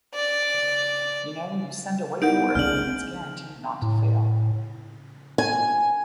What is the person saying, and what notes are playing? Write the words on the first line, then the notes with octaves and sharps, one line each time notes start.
You know, you send away for it and it's guaranteed not to fail.
D5
G3 B3 D#4 E4 A#4 F#5 G6 D7
G#3 A#3 C4 D4 F6 F#7
A2
G#5